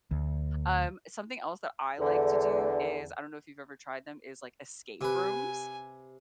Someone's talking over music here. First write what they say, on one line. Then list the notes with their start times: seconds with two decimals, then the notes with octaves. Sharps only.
Um, something else that I like to do is I don't know if you've ever tried them is like escape rooms.
0.11 D2
2.00 E2 D3
5.01 C3 B4 G#5